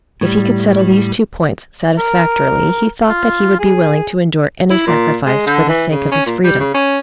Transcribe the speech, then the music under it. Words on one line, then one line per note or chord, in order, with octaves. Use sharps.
If he could settle these two points satisfactorily, he thought that he would be willing to endure any sacrifice for the sake of his freedom.
A2 G3
A#4
F4
G#4
E4
A#2
G#3
D3
E3
C#3
C#4
A#2
G3
C#3
C#4